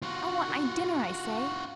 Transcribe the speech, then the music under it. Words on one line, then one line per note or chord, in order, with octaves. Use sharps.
"I want my dinner, I say."
F4 F#4